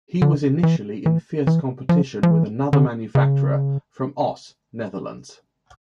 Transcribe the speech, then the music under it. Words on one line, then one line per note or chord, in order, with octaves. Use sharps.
He was initially in fierce competition with another manufacturer from Oss, Netherlands.
D3
E3
E3
E3
F3
F3
E3
D3
C#3